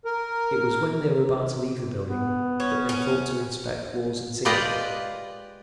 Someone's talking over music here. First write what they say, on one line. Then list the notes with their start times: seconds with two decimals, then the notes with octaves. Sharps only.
It was when they were about to leave the building that they thought to inspect walls and ceiling.
0.05 A#4
2.07 B3
2.60 C#4
2.89 C#4
4.45 G#3 F4 G4 B4 D5 D#5